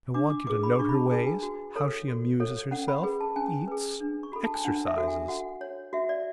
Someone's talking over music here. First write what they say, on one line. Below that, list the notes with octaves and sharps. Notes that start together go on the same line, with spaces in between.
I want you to note her ways, how she amuses herself, eats, exercises.
D4 D6
D6
G#4 B4 D6
B5
D6
D4 C#6
B5
A5
G#4 B4 G#5
G#5
F#4
A4 C#5
F#4
A4 C#5
C#4 F#5
B5
G#4 B4
A5
C#4 G#5
G#4 B4
D4
C#6
F#4 A4 B5
A5
G#5
D4 F#5
E5
F#4 A4
G#5
F#4 F#5
C#5
F#4 E5
D5